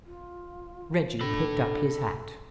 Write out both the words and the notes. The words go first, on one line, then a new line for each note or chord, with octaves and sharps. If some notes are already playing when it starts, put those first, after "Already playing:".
Reggie picked up his hat.
F4
D4 A4 B5